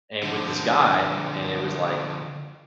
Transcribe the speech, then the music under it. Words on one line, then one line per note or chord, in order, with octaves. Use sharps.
and with this guy, and it was like,
D3 F3